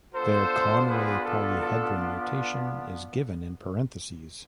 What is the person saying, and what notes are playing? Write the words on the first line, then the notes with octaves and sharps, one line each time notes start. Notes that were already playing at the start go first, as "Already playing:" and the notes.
Their Conway polyhedron notation is given in parentheses.
B3 D4 F4 A4 C5
G#4 B4
A4
A4